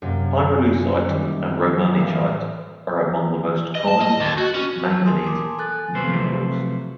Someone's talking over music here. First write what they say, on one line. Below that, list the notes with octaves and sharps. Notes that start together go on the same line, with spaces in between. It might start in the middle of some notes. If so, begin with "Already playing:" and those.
Pyrolusite and romanechite are among the most common manganese minerals.
F#2 C3 A#3
G#5 C#7
D#3 G3 E4
A2 E3 G3 A#3
D#5
A5
D#5
D#2
F#4
C#4
A5 E6
A#4 G#5 A5 C6 D#6
G#5 D6
A4 G#5 F#6 A6
C3 F3 F#3 A3 B4 C5